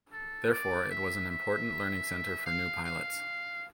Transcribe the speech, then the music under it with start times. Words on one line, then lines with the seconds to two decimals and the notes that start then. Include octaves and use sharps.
Therefore, it was an important learning centre for new pilots.
0.13 A4
0.52 D5
0.91 E5
1.30 E5
2.46 F5
2.85 F5